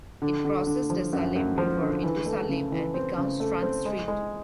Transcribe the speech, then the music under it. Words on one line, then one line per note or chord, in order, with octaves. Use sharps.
It crosses the Salem River into Salem and becomes Front Street.
D3
D3
D3
F3
F#2
F#2
F3
D3
E3
A3
C#3
E3
C4
C#3
A3
C4
G#3
G#3